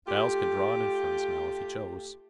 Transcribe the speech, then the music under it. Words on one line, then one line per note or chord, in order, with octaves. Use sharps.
Giles could draw an inference now if he chose.
A3 F4 G4